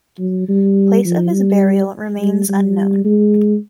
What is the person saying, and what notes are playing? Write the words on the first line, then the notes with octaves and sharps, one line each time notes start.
Place of his burial remains unknown.
F#3
G3
F3
G3
G3
G3
G#3